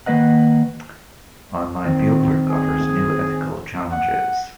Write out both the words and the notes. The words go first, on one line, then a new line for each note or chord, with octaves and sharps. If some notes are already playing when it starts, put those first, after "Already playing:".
Online fieldwork offers new ethical challenges.
D#3 A#3 B4 D#5 F#5
D#3 C4
G#4
F#5